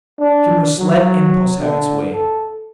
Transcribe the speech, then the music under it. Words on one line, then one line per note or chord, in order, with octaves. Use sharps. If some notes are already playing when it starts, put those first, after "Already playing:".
She must let impulse have its way.
D4
F#3
D3
A4